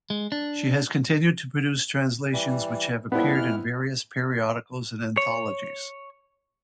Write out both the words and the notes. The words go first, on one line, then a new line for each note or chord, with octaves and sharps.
She has continued to produce translations which have appeared in various periodicals and anthologies.
G#3
D4
E3 G3
A2 F3 G3 B3 E4
F2 E3 F6
C#5